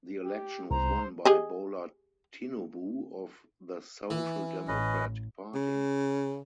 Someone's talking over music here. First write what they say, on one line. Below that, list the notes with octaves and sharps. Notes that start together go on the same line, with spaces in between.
The election was won by Bola Tinubu of the Social Democratic Party.
G4
C2 C5 A#5
G4 G#4 D#5
E3
A1 C#4 B4 D#5
C#3